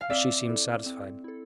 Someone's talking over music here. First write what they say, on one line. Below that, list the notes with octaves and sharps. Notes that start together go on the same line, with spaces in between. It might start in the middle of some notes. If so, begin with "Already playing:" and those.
But she seemed satisfied.
F5
C4 D5 E5
E4 A4
C4
E4 A4